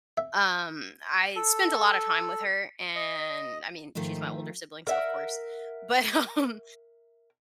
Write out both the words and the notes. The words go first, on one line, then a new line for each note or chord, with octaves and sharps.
um, I spent a lot of time with her and, I mean, she's my older sibling, so of course, but, um,
E5
A4
D#5
G#2 D#3 F3 A3 F4
A#4 E5 F#5